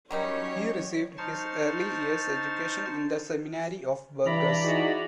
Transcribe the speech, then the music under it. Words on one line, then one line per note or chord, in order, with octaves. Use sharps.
He received his early years education in the Seminary of Burgos.
D#3 F#3 G3 C#4 D#4 C#5
D#4 C5 A5 C#6 F6 A6
G2 E3 D5 E5 A#5 B5
D#4 F#4 G#4